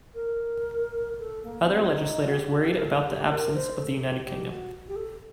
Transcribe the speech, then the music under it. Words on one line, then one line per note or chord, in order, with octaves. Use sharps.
Other legislators worried about the absence of the United Kingdom.
A#4
A4
A#3
C4
D4
D#4
F#4
G4
F#4
G4
A#4
A4
G4
A#4
C5
A4
G4
G4
F#4
G4
A4